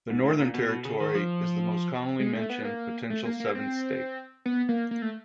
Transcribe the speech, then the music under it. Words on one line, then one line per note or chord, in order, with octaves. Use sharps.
The Northern Territory is the most commonly mentioned potential seventh state.
G#2
A2
A#2
B2
B2
C#3
D#3
F3
G#3
A3
B3
A#3
A3
A#3
A#3
C4
B3
A#3
A#3
A3